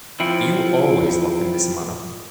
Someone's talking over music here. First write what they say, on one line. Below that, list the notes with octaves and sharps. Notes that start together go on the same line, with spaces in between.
Do you always laugh in this manner?
F3 C4 E4